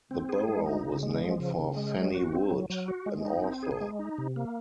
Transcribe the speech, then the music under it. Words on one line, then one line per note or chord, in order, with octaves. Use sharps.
The borough was named for Fannie Wood, an author.
C4
G#4
G#3
D#4
C#3
G#3
F3
C#3
C#3
G#3
F#3
F#4
C4
F#3
F#3
F#4
G#3
D#4
C4
G#4
G#3
D#4
C3
A#3